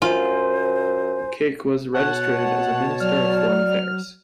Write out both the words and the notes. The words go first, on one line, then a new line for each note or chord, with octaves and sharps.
Keke was reinstated as Minister of Foreign Affairs.
F#2 F4 C5 G#5 C6 D#7
B2 C#5 F#5 A5
F#3 D5 F6